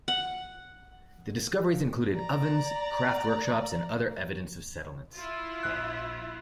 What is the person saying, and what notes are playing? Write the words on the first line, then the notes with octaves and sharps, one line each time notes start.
The discoveries included ovens, craft workshops, and other evidence of settlements.
F#5
D5 A#5
E4 F4
A#1 F#6